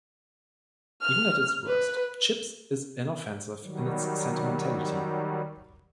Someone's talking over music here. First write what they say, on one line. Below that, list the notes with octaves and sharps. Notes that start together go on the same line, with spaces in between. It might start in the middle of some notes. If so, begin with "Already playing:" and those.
Even at its worst, "Chips" is inoffensive in its sentimentality.
F6
B4
D#3 F#3 G3